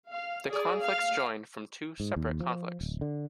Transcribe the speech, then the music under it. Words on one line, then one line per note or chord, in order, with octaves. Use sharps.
The conflicts joined from two separate conflicts.
F5
G#4 D5
F5
G#2
D#2
F3
D1
D3